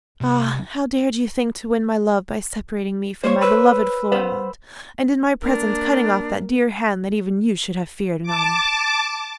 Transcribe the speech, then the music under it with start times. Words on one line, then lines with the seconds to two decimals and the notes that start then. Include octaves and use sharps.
'Ah! how dared you think to win my love by separating me from my beloved Florimond, and in my presence cutting off that dear hand that even you should have feared and honoured?'
0.21 C2
3.24 A#3 C5 C#5
3.41 B4 B5 E6
4.12 B4 C5 F#5
5.42 A#3 D4 A#4
8.23 A5 D6